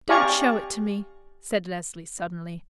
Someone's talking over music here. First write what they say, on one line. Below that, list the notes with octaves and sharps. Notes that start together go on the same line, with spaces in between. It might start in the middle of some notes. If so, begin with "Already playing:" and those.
"Don't show it to me," said Leslie suddenly.
G4 D5 F5 G#5 A#5 C#6